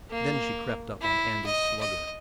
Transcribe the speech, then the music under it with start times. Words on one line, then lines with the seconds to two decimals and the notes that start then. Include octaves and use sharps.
Then she crept up on Andy's Slugger.
0.10 A#3
1.01 E4
1.46 D#5
1.81 D#5